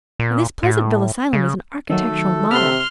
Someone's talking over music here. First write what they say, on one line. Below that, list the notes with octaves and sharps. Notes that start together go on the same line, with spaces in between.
And this Pleasantville asylum is an architectural model.
A#2
A2
C#3
D#3 F#3 A3 A4
C3 E5 C6 F6